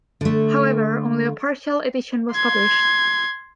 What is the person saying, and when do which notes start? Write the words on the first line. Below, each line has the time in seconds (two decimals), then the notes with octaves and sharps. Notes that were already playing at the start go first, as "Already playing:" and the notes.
However, only a partial edition was published.
0.21 D3 A3
2.32 C6 G#6